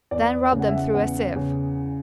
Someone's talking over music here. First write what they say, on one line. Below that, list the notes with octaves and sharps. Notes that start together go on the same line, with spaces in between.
Then rub them through a sieve.
E2 D5
C#3
F#5
E5
F#5
E2 F#5
C#3